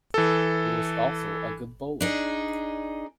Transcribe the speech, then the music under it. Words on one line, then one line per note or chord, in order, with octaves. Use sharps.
He was also a good bowler.
E3 A4
D4 D#4 G#4